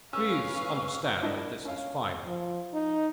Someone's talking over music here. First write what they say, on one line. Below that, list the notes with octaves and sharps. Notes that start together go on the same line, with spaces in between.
Please understand that this is final.
C#4 B4 F5 C#6 E6
D4 E4 A#4 D#5
C#4 F5
F3
D#4